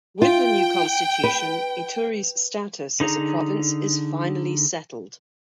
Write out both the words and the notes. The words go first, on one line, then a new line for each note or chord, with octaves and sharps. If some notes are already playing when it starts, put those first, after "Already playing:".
With the new constitution, Ituri's status as a province is finally settled.
F4 G5
B4
D3 D#4 G#4 A#5